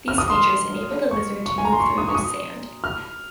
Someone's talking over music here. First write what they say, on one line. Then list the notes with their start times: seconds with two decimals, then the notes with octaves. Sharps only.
These features enable the lizard to move through loose sand.
0.08 F6
0.18 D#6
0.30 C6
1.11 C#6
1.46 C#6
1.58 G#5
1.65 A#5
1.73 C6
1.80 C#6
1.98 D#6
2.08 C#6
2.15 D#6
2.84 F6